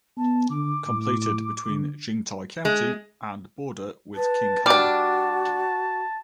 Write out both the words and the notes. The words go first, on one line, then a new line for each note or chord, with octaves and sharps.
Completed between Jingtai County and border with Qinghai.
B3 A5
D3 D6
A2
D3
G#3
B4 A5
G3 D4 F#4 G5 D6 F6